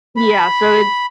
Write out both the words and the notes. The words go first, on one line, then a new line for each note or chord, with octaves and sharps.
Yeah, so it's
B5